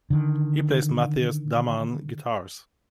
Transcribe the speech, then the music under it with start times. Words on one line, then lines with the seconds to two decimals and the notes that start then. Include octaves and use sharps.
He plays Matthias Dammann guitars.
0.10 D3 D#3